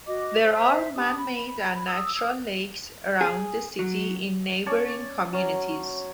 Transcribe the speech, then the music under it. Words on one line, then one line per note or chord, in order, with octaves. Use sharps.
There are man-made and natural lakes around the city in neighbouring communities.
F#4 D#5 D6
C5 E5
D4 G4 D#6
B5
D#6 E6
G#4
F#3
C#4 C#5 D5 A5
F#3 C#4